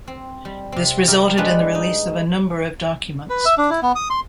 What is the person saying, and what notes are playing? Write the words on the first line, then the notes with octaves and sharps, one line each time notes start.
This resulted in the release of a number of documents.
C4
G3
C3 C4
G4 A#4 E5
G3 G#3 D4 F4 B4
D#4
B4
E5
D4
E4
B3
D#6
C6